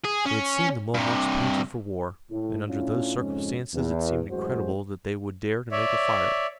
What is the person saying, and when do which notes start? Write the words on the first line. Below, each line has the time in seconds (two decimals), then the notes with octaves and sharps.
They had seen the Mohawks painted for war, and under those circumstances it seemed incredible that they would dare to make a fire.
0.05 G#4
0.26 C#4
0.94 G2 C3
2.31 A2
2.69 A2 C#4 D4 E4 F4
3.17 F2 G#2 C#3 G#3 C#4
3.74 E2
4.31 A1 F#2 G#3 F#4 C5
5.72 C#5 D5 E5